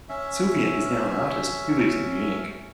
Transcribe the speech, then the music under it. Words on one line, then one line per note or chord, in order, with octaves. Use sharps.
Silvia is now an artist who lives in Munich.
C#4 E5